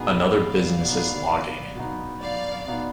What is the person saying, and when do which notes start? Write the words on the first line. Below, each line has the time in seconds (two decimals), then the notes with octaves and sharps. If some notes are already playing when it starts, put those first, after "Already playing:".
Another business is logging.
Already playing: B2 B3 D#4 G#4
0.37 D5 F5
0.83 B2 B3 D#4
1.75 B2 B3 D#4
2.21 D5 F5
2.67 B2 B3 D#4